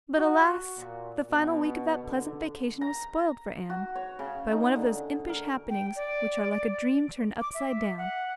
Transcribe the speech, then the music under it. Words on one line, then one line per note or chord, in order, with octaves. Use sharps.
But alas, the final week of that pleasant vacation was spoiled for Anne, by one of those impish happenings which are like a dream turned upside down.
F#4
A#2
B2
D3
A#5
F#4
C#5
C#3
D#4
D3
A#4
G5
D5
D6
E5
F#5